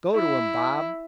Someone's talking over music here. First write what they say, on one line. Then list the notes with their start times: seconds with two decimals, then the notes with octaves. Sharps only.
"Go to him, Bob."
0.15 E4